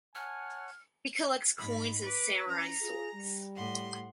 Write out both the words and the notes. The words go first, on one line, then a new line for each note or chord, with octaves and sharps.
He collects coins and samurai swords.
C#5 F#5 G#5 A5 F6
G#2 B5
B4 D6
E3 C#4 A#5
F4 G#4
G3
A2 F#5 C6